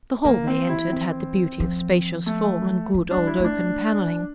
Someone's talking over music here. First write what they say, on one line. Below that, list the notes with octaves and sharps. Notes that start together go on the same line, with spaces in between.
The hall they entered had the beauty of spacious form and good, old oaken panelling.
E3 A#3
C4
E4
C4
F3
A3
F3
D4
G3
E4
A3
D4